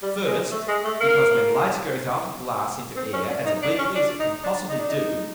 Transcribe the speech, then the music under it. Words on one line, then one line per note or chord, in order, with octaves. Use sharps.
First, Because when Light goes out of Glass into Air, as obliquely as it can possibly do.
G3
G#3
A3
G#3
A3
A#3
C4
C#4
D4
D#4
D4
C#4
D4
D#4
D4
D#4
D4
D#4